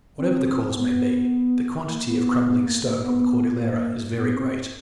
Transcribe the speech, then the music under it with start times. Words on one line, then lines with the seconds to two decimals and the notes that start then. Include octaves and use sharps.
Whatever the cause may be, the quantity of crumbling stone on the Cordillera is very great.
0.18 C4
0.75 B3
1.89 A#3
2.07 B3
2.27 B3
2.46 B3
2.65 A#3
2.84 A#3
3.03 B3
3.60 A#3
4.17 B3
4.35 C4